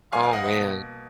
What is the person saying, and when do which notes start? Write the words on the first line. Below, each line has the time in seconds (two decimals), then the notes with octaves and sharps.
Oh, man.
0.12 F2 F3 B3 F5 G#5
0.23 F5 G#5
0.33 D#5 F#5
0.44 D#5
0.54 B2 A#3